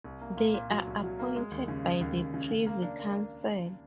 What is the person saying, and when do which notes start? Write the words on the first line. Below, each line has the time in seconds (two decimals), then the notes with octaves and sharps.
They are appointed by the Privy Council.
0.04 C2
0.21 A#3
0.37 A#2
0.54 A#2
0.70 F#3
0.87 C2
1.03 F#3
1.19 A#3
1.36 G#3
1.51 D#2
1.68 C#3
1.85 C#3
2.01 D#2
2.17 D#2
2.34 C#3
2.50 C#3
2.66 A#3
2.82 D4
2.99 A#3